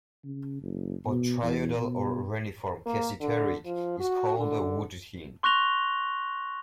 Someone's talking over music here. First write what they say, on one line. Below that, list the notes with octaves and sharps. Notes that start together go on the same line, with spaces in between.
Botryoidal or reniform cassiterite is called "wood tin".
C#3
F#1
B2
E2
B2
A#3
D3
F3
F#4
D3
C6 C#6 F#6 A#6 F7 G7